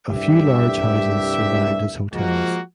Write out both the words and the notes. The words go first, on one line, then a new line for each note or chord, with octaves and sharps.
A few large houses survived as hotels.
C2 G2 A3 G4 E5
F3 G#3 A#3 F#4